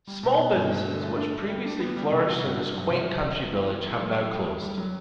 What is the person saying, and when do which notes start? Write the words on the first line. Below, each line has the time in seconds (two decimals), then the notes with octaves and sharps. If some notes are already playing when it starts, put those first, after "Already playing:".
Small businesses which previously flourished in this quaint country village have now closed.
0.07 G3
0.23 B2
0.39 B3
0.54 G2
0.71 A3
0.86 D3
1.02 A3
1.17 D4
1.33 A3
1.49 G3
1.65 D4
1.80 B3
1.96 G3
2.12 C3
2.27 F#4
2.43 G2
2.58 G2
2.74 F#3
2.90 C3
3.06 F#3
3.21 C3
3.37 B3
3.52 E3
3.67 E3
3.84 A3
3.99 F#3
4.15 F#3
4.31 G3
4.46 A4
4.62 G3
4.78 F#3